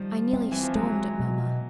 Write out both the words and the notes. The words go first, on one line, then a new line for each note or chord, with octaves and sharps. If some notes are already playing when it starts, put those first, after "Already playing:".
I nearly stormed at Mamma.
Already playing: D#3 F3 G3
C4
E3
F3
E3 F#3 G#3
B2